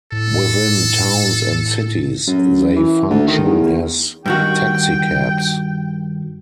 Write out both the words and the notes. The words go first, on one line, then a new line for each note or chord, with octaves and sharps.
Within towns and cities, they function as taxicabs.
A2 A4
F#2
E3
D2
D#3
E2
G2 D#3 F#4 G5